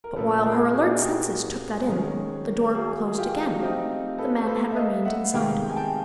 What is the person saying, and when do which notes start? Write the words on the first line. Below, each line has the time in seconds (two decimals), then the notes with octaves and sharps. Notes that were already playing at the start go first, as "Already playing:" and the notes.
But while her alert senses took that in, the door closed again--the man had remained inside.
0.04 A#4
0.16 A#2 F3 A#3 C#4 A4 B4
0.45 G#4 A#4
0.73 F#4 G#4
0.95 G4
1.02 F#4 G#4
1.89 D#3 G#3 C#4
2.74 F#4 G#4
3.07 G#4
3.18 F4 G4
3.53 F#4
3.61 F3 A3 C4 D#4 F4 G4
4.18 A4 B4
4.42 C5
4.48 A4 B4
4.72 E5
4.76 D#5 F5
5.05 E5 F#5
5.33 C3 D#3 G#3 B3 F5 G5
5.62 G5
5.70 G#5
5.77 G5 A5